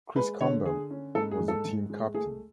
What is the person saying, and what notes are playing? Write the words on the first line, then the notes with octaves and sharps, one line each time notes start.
Chris Campbell was the team captain.
G#3 B4
D3 C#5
D3 G#4
C#4
G#2 A4
G#4
G#2
A4
G#2
G#3
A3 G#4